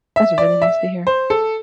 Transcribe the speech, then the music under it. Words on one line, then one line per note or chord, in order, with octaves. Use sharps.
That's really nice to hear,
E5
D5
E5
C5
A4